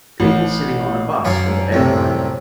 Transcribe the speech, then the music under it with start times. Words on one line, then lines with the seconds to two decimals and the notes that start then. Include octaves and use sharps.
People sitting on a bus or airplane.
0.20 A1
1.25 F#2 C#5 D5 F5
1.72 C2 A2 C3